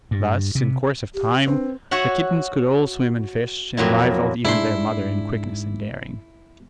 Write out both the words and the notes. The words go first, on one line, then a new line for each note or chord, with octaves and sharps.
Thus, in course of time, the kittens could all swim and fish, and rivalled even their mother in quickness and daring.
G2
C3
G4
C4 D4 B4
F#4 C#5 E5 F#5
F2 A#2 F#3 E4
G#2 D4 E4 C6